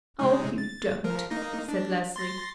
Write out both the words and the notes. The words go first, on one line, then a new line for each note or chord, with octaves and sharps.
"Oh, you don't," said Leslie.
C3 G#3 D#4
A6
F3 A#4
A#3 D#4 A#6
D4
C6 A6 A#6